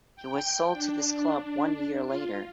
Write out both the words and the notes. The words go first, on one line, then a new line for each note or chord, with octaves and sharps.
He was sold to this club one year later.
G5
D4
F4